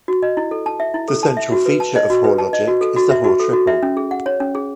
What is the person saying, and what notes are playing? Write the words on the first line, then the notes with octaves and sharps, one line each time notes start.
The central feature of Hoare logic is the Hoare triple.
F#4
D#5
E4
A4
A5
E5
E4
A4
A5
E5
F#4
B4
A5
D#5
F#4
B4
A5
D#5
F#4
A4
F#4
E5
F#4
A4
F#4
E5
C#4
G#4
F#5
C#5
C#4
G#4